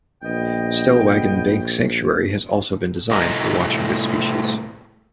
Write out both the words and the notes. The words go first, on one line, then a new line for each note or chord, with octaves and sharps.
Stellwagen Bank Sanctuary has also been designed for watching this species.
A#1 B3 D#5 G5
A2 C3 A3 D#5 A#5